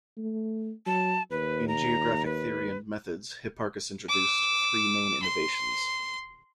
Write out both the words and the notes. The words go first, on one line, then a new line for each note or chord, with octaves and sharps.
In geographic theory and methods Hipparchus introduced three main innovations.
A3
F#3 A5
D#2 B4
A#5
B4
D6 E6
C6